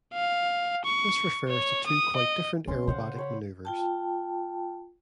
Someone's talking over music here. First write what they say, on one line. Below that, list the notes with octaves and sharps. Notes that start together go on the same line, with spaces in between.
This refers to two quite different aerobatic maneuvers.
F5
C#6
C#5
D#6
D#5
D3 C4 C#4 C6 D6
C#3 C5 F5 F#5
C5 C#5 B5
F4 G5 A5